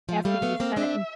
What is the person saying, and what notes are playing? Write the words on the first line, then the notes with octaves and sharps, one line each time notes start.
after you've said it, and
F3
G3 A3 F5
A3 B3
A#3 C4
C4 D4 E5